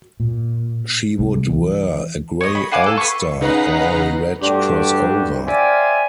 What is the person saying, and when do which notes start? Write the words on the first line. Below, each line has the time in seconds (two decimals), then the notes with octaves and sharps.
She would wear a grey ulster or a red crossover.
0.20 A#2
1.19 C2
1.54 E3
2.41 C#5 D#5
2.55 B5
2.72 F5 F#5 G#5 D6
2.86 A4
2.97 B4 C#6
3.41 C#3 D#4 B4 F#5 A#5 C7
4.42 G2 A3 D4 F#4 G4
5.47 C5 D5 E5 F5 G5 G#5